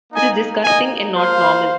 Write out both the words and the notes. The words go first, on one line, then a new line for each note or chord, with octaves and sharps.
This is disgusting and not normal!
A#3 D#4 D#5 G#5
A#3 D#4 D#5 G#5
A#3 F4 C5 F5